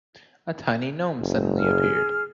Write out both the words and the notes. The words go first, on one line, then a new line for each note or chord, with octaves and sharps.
A tiny gnome suddenly appeared.
F#1
G#4 F6